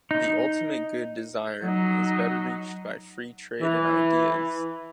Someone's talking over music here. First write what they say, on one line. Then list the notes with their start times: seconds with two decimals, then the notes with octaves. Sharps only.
The ultimate good desired is better reached by free trade in ideas.
0.11 D#4
1.62 F#3 D#4
3.62 E3